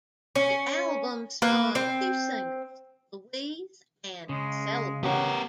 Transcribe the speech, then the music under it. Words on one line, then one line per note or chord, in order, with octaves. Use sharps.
The album spawned two singles, "Louise" and "Celebrate".
C#4
A#3 B4
C4
C#3 G#3
B3 G4 A#4 C#5 F#5